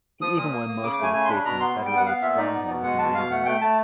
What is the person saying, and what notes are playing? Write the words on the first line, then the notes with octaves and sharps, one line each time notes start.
He even won most of the states in the Federalist stronghold of New England.
F3 D#6
A#2 D#6
A#3
A#3
C#3 D6
D6
A3 G#5
C#3 G#5
C6
D4 B5
B2 A#5
B3 C6
G3
G5
B3
F#5
B3 F5
A#2 E5
D#4 D5
B3
B2
G#3 F#5
B2 A5
B2 F5
A3 F#5
A3 G5
A3 A5